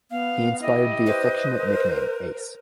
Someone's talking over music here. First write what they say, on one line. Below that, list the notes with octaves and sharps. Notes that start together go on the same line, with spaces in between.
He inspired the affectionate nickname 'Ace'.
B3 F5
E4 G4 D#5
B4 C5
A#4